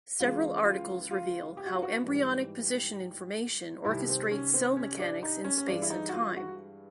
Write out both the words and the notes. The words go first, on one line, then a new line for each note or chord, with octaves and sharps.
Several articles reveal how embryonic position information orchestrates cell mechanics in space and time.
C#2 C#3 E3 G#3 F4
F4
F4
G4
F#4
F4
F#4
G#2 E3 G3
C2 C3 D#3 E4
C4
C#4
C4
C#4
D4
D#4
C#4
C#4
G2 E3 G#3 D4
E4
D#4
F#4
F4
F#4